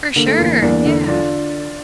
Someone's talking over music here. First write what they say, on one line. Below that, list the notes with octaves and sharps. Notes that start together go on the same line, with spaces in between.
For sure, yeah.
D3 A#3
A3
E2 A#3
E2 A#3 D4
D3
D3 D4 F4